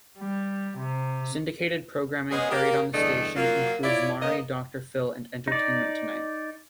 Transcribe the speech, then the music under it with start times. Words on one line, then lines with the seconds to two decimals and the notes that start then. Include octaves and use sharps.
Syndicated programming carried on the station includes "Maury", "Doctor Phil" and "Entertainment Tonight".
0.18 G3
0.78 C3
2.32 G#3 B3 C#4 G#4 C5 D#5
2.51 A#3 G4
2.93 E2 G2 D3 A3 D4 D#5
3.36 F#3 A#3 F4
3.84 E4 F4 C#5 D5
4.21 D#3 A#3 B3 D#5
5.48 D#4 D5